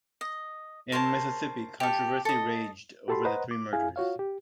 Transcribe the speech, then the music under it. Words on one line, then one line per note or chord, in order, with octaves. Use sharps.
In Mississippi, controversy raged over the three murders.
D#5
A#4 C5 C#5 A5
G4 A4
A4 D#5
F#4 G4 A4 A5 B5 C6
B4 C5 D#5 F#5 A#5
D6
E4 G#4 F5 G#5
F4 F#4 C#5 F5
G4